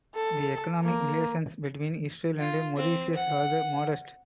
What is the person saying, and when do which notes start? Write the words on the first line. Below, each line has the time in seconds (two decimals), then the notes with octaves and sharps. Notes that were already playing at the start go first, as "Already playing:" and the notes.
The economic relations between Israel and Mauritius are modest.
0.15 A4
0.84 A#3
2.39 F4
2.76 C4
3.15 F#5